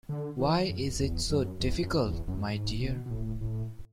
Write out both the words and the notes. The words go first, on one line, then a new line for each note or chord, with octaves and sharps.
Why is it so difficult, my dear?
D3
E3
F#2
E2
F#2
E2
F#2
E2
F#2
G#2
B2
B2
A2
A2